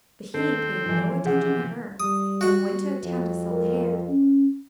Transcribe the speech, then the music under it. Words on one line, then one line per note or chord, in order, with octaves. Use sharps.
But he paid no attention to her, and went to a town to sell the hair.
D#3 C4 A4
E3 F3
C3 G#4 F#5
G3 D#6
F#4 F#5
F2
A#4
C#4